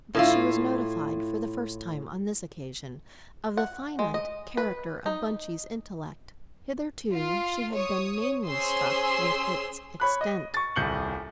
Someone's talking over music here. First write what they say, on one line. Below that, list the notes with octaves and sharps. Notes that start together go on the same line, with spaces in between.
But she was notified for the first time, on this occasion, of the finite character of Bunchie's intellect; hitherto she had been mainly struck with its extent.
A2 E4 F4
F#5
G#3
D#5
B4
D#4
F4
C#5 D#6
C#4 G#4 C5 C6 E6
C#5 B5 F#6
D#5
C#6 A6
D#1 C2 G6 C#7 F#7